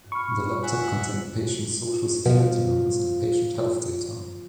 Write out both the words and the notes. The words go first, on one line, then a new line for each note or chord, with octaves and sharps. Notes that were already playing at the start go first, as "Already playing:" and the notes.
The laptop contained patient Social Security numbers and patient health data.
B5 C#6 F6
E5 F#5 G#5
B2 F3